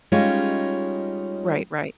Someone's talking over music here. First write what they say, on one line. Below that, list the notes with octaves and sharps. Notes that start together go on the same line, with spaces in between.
Right, right.
G3 G#3 C#4 D#4 F4 C#5